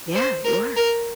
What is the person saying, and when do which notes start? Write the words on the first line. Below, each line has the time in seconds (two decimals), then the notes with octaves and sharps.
Yeah, you are.
0.15 C5
0.44 A#4
0.76 A#4